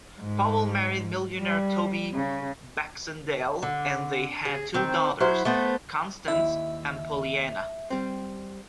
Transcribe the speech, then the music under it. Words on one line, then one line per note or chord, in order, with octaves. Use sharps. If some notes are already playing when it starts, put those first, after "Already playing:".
Powell married millionaire Toby Baxendale and they had two daughters, Constance and Pollyanna.
G#2
G3
C#3
D3
G#4
D#3 C4
F#3 E4 C5
A3 B3 C5
D#2 E4 E5
G3 C4